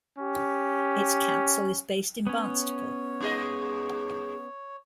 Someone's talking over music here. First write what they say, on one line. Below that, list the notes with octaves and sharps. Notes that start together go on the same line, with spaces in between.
Its council is based in Barnstaple.
C#4 G4
B3 C#4 C#5
G2 G#4 D#5